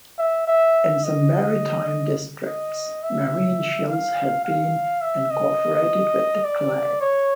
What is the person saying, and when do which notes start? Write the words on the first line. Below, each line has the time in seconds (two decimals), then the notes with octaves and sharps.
In some maritime districts, marine shells have been incorporated with the clay.
0.18 E5
0.47 E5
1.04 D#5
2.46 D#5
3.03 E5
3.88 F5
4.45 F5
5.01 E5
5.30 D#5
6.44 D5
7.01 C#5